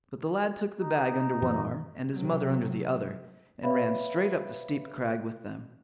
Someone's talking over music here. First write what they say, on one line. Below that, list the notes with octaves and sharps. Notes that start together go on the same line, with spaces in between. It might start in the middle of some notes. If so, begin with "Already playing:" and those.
But the lad took the bag under one arm, and his mother under the other, and ran straight up the steep crag with them.
D#4
F#2 A#2 E3
C3 F#3
B4 C#5 D5 E5 F5 B5